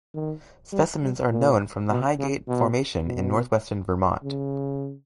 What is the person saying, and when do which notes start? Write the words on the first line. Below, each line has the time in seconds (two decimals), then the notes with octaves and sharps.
Specimens are known from the Highgate Formation in northwestern Vermont.
0.14 D#3
0.72 G3
1.02 G3
1.31 A#2
1.90 B2
2.19 C#3
2.48 B2
3.06 B2
4.23 C#3